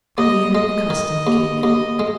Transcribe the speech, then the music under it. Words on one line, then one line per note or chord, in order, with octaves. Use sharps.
Here a customer came in.
D#2 D#5
G#3 D#5
D#3
D#2
D#2 D#5
G#3